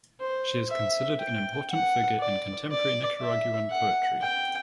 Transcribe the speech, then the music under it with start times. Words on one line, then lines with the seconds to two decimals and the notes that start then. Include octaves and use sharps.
She is considered an important figure in contemporary Nicaraguan poetry.
0.20 C5
0.69 E5
1.20 G5
1.70 F#5
2.20 D5
2.71 D5
3.21 E5
3.70 F#5
4.21 G5